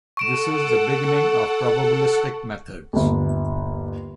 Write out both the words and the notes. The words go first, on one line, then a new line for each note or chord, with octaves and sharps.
This is the beginning of probabilistic methods.
A4 F#5 C#6 D7 E7
G1 D#2